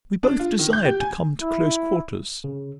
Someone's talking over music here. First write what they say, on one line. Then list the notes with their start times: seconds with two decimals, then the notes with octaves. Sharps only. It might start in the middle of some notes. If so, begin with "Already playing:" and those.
We both desired to come to close quarters.
0.23 D4
0.39 F4
0.59 D#3
0.73 G6
0.85 G4
1.00 G#5
1.42 E4
2.44 C#3